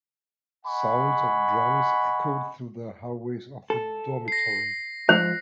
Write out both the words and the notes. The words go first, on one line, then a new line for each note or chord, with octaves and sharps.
Sounds of drums echoed through the hallways of the dormitory.
D#5 F#5 G#5 B5 C#6
A4
A#6 C7
G#2 F3 C5